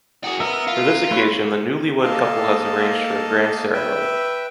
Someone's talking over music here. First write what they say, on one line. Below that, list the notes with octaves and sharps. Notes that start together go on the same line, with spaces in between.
For this occasion, the newlywed couple has arranged for a grand ceremony.
F#4 G#4
B3 A#4 D#5 E5
F4
A3 B4 C#5
A#3 A4 D#5 F5 A5
B4 E5 G5